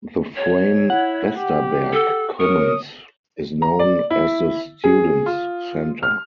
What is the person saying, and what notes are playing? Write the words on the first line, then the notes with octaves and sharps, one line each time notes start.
The Frame-Westerberg Commons is known as the students center.
C#5
E4 F#5
G4
A4
A#4 C#5 D#6
A#5
D5
E4
G#4
F4
F6